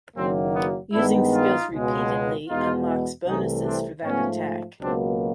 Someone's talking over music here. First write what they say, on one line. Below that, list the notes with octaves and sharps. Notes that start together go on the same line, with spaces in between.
Using skills repeatedly unlocks bonuses for that attack.
F#1 F#2 D#3 F#3 A#3 C4
B3
G2 D#3 G#3 B3 D4 E4
D#4 F4
C#2 B2 G#3
E2 B2 G#3 B3 D#4 F4
C2 C3 E3 A3 C#4 D#4
C4 D4
G#2 F3 A3 B3 C#4
C#2 B2 F#3 A#3 C4 D4